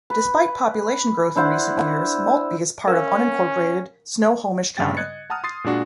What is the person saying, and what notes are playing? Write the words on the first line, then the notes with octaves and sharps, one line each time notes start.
Despite population growth in recent years, Maltby is part of unincorporated Snohomish County.
B4
D4 E4 C5 F#5
C#4 A#4 F5
G2 C#3 G3 G5 A6
D#5 F#6 G#6 A6 C#7
F#5 A5 A#5 D#6 F6
C6 D#6 A6 C7
A#2 G#3 D4 F#4